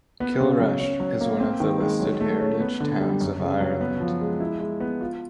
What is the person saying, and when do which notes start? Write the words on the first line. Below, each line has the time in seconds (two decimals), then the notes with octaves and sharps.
Kilrush is one of the listed Heritage Towns of Ireland.
0.20 B3
0.41 C#3
0.60 F#3
0.80 C#4
1.00 F#3
1.21 A#3
1.40 C4
1.60 D#3
1.81 G#3
2.00 F#3
2.20 A3
2.41 C#4
2.60 B3
2.80 D3
3.00 G3
3.21 F#2
3.40 C#3
3.61 F#3
3.81 B3
4.00 F3
4.21 G#3
4.40 E4
4.60 G#3
4.80 B3
5.01 F4